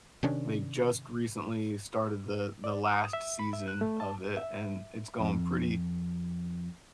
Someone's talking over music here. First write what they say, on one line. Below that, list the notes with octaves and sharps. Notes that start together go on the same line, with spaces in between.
they just recently started the the last season of it, and it's going pretty
C3 D#3 C#4 D4
D5
D#6
E5
B5
E5
F#6
A3
A5
E5
F2